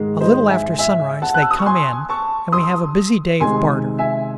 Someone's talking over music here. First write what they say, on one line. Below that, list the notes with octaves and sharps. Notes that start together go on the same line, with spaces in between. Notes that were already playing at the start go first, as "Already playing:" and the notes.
A little after sunrise they come in, and we have a busy day of barter.
Already playing: G#2 D#3 G#3
C5 D#5
E5 G#5
E5 G#5
F#5 A5
F#6
E6
D#6
C#6
G#5 C6
A5 C#6
C6 D#6
C3 D#3 G#3 G#5 C6
E5 G#5